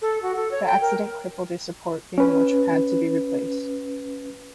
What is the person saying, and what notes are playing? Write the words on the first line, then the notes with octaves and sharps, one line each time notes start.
The accident crippled a support beam, which had to be replaced.
A4
F#4
A4
C#5
G5
A#4
C#4 B4